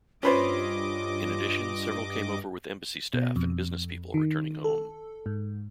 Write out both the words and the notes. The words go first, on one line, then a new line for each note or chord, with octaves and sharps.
In addition, several came over with embassy staff and business people returning home.
G2 C#4 F4 B4 C5 D#5 D6
B2
F2
D#3
A4
G#2